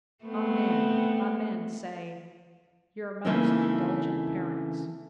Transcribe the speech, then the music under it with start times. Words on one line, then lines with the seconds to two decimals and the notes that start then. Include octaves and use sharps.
Amen, amen, say 'Your most indulgent parents.
0.25 A3 B3 C4
3.25 C#3 E3 A3 A#3 C4 D#4